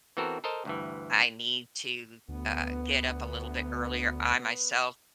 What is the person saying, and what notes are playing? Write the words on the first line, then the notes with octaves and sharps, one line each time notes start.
I need to, uh, get up a little bit earlier, I myself
E3 B3 C4 F#4 A4 A#4
A4 A#4 C5 D#5 A5
D2 G2 E3
D2 B3